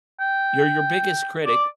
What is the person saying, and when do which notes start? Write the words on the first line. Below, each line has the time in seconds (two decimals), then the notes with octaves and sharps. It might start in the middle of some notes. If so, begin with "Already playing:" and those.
you're your biggest critic,
0.20 G5
1.46 D5